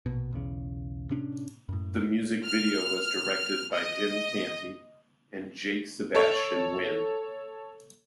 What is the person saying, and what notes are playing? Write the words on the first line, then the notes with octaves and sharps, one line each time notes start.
The music video was directed by Jim Canty and Jake-Sebastian Wynne.
A#1 B2
B1 E2 C#3
A2 C3 C#4 D4
F#2 A2
F6
D#5
A4 C#5